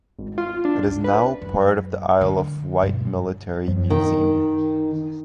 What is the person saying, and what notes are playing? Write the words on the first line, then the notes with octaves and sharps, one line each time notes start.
It is now part of the Isle of Wight Military Museum.
G#1
F4
D4
C#2
B4
F#2
D3
G2 B2
F#2
D#3